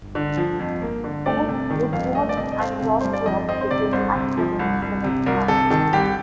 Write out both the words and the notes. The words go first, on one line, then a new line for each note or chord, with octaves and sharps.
Both Woodward and Lothrop became active in civic life.
D3
F3
F2
A#3
D3
A3 D5
C3
D#3
F2 F5
A3 D#5
D5
C3 D#5
D#5
C4 F5
C3
G3 C5
D5
F2 D#5
C4 D#5
C5
C3 D5
C2 C5
C3
F3
C2
C2
C3
C2 A#4
C3 A4
D#3 A4
C2 G4